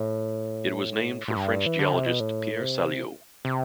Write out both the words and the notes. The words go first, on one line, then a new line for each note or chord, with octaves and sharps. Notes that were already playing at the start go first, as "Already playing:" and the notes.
It was named for French geologist Pierre Saliot.
Already playing: A2
A2
G2
E3
D3
C3
B2
A2
C3
C3